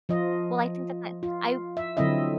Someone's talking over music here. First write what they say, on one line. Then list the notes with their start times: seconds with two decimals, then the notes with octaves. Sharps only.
Well, I think that that I
0.09 F3 F4 D#5
1.23 F4
1.77 E5
1.97 D3 F#3 C4 E4 D#5 E5